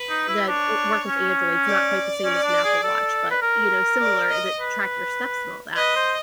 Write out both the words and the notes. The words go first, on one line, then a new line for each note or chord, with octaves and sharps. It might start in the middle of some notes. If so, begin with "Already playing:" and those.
that w work with Androids, not quite the same as an Apple Watch, but, you know, similar that track your steps, and all that,
Already playing: B4
D#4
E4
D4 C#5
C#4
D5
C#4
D4
G#4
A4
B4
A#4
D5
D#5
B4
B4 D#5
C5